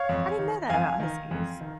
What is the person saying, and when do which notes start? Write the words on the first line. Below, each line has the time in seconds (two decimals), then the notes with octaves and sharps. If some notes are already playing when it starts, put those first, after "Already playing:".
I didn't know that about Huskies.
Already playing: C#5 F5
0.09 F2
0.39 D#3
0.69 F2 F5 G#5
1.00 D#3
1.31 F2
1.61 D#3